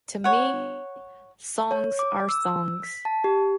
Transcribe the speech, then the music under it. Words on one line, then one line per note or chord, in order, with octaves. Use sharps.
To me songs are songs.
C#5 F#5
C#5
D6
E6
B6
A5
G4